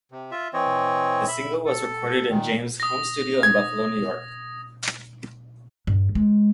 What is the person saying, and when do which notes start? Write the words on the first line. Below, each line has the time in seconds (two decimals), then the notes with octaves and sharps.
The single was recorded at James' home studio in Buffalo, New York.
0.12 C3
0.31 F4 E5
0.54 E3 C4 C#5 D#5
1.28 E5 B5
1.66 A4
2.29 A#2 D#3
2.80 D#6 A#6
3.43 G#6
5.87 G2
6.15 G#3